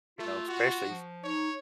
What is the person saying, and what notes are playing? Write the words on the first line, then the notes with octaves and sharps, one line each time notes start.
You know, especially s
A3 F4
F#4
F3
D#4 C#5